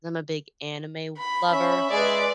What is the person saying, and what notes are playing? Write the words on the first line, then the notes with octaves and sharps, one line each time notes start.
'cause I'm a big anime lover,
B5
C#4 E5
G#3 G#4 B4 D5